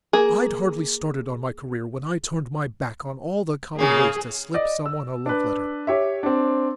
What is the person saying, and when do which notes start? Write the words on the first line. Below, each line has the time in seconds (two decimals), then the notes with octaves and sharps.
I'd hardly started on my career when I turned my back on all the common ways to slip someone a love letter.
0.13 A#3 G#4
3.79 C#3 A#3 G#4
4.54 D5 D#5
4.86 E6
5.26 D4 B4
5.87 G4 C#5 E5
6.23 C4 D4